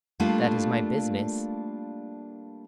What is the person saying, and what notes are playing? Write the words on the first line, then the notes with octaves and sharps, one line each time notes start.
"That is my business."
G3 A3 A#3 D4 F4